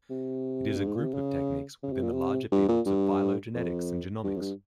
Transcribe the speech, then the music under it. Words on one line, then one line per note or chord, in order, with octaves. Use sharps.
It is a group of techniques within the larger fields of phylogenetics and genomics.
C3
G2
G#2
A#2
C3
C#3
C#3
C3
A#2
C3
G2
A#2
G2
F2
G2
F2
G2